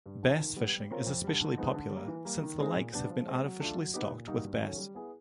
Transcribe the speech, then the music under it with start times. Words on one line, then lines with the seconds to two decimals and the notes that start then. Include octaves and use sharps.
Bass fishing is especially popular, since the lakes have been artificially stocked with bass.
0.06 G2
0.23 D3 F3
0.40 D#3
0.56 G3 B3
0.73 G3
0.91 C4 F4 A#4 C#5
1.06 F2
1.24 D3 G3
1.40 D3
1.57 F3 G#3 B3 D#4
1.74 D3
1.91 G3
1.96 A#3
2.08 E3
2.25 G3 A#3
2.42 D#3
2.60 G#3 C4 D#4 G#4
2.76 A#2
2.93 G3 B3 D4
3.10 F3
3.26 G#3 C4
3.44 F#3
3.61 A3 D4 F4
3.77 F#3
3.94 B3 D#4 G4
4.11 A#2
4.27 G3 A#3 D#4 F#4
4.44 G2
4.61 D#3 F#3 A3 C#4
4.78 G3
4.95 B3 E4 G#4